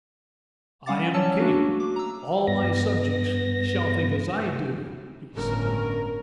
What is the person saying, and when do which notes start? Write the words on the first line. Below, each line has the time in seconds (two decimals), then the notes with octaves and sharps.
'I am king; all my subjects shall think as I do,' he said.
0.86 G3 C#4 F5 F#5 D6 A6
1.14 F#3 C#4 C#5 A5 E6
1.40 A3 A#3 D4 F#4
1.80 D6
1.96 A#5 E6
2.47 G2 B3 A#6
5.35 G1 A2 C#4 A#4